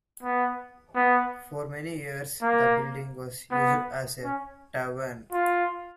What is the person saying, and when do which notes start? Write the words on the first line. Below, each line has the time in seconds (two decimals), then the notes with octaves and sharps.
For many years the building was used as a tavern.
0.23 B3
0.95 B3
2.41 A#3
3.51 B3
4.23 C#4
5.33 F4